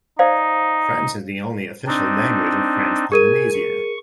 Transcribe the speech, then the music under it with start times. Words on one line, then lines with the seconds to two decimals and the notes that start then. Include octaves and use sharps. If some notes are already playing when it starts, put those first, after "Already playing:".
French is the only official language of French Polynesia.
0.19 D#4 C5 D5 F5
1.87 C4 D4 D#4
3.12 G#4 A#4 G#5 D#7
3.53 C#6